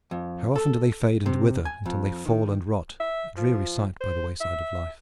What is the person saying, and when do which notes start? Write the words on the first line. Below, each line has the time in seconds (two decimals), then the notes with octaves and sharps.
How often do they fade and wither until they fall and rot, a dreary sight, by the wayside of life!
0.11 F2
0.56 A4
1.26 C3
1.65 G#5
1.86 F2
2.26 D#3
3.00 E5
3.37 F3
4.01 C5
4.41 E5